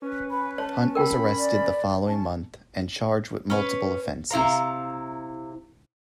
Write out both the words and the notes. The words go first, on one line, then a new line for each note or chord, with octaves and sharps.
Hunt was arrested the following month and charged with multiple offenses.
C#4 B4
B4 B5
C#5 A5
A#4 G5 B5
D5
C#4 A5
C#4 B4
C3 E4 F5 A#5